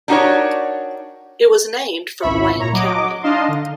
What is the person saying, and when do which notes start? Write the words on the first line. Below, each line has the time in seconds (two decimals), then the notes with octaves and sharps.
It was named from Wayne County.
0.08 D4 D#4 F#4 G4 A#4 C#5
2.20 G#1 C#2 E4 E5 B5 C#6
2.58 A#2 C#5 A#5
2.73 F#3 D#5 D6
3.23 D4 D#4 D#5 F5 A5 C6
3.48 D3